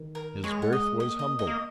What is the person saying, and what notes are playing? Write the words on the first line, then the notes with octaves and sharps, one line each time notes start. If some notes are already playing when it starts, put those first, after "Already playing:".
His birth was humble.
Already playing: D#3
A#4
G#3 C#5
F#5
D#5
A#3 D#5
D#5
D#5
A#3